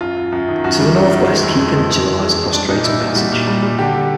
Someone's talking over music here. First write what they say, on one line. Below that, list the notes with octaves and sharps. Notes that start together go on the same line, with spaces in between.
To the northwest Key Peninsula lies across Drayton Passage.
F#2 F4
F#2
F#2
D#3
F#2 F#4
G3
F#2
D#3
G#3
F2
G#3
G#3
E3
F2
G#3
G#3
G3 D4
A#2 D#4
A#2 E4
A#2 F4
G3 F#4
A#2
G3
G3
D3 G4
D3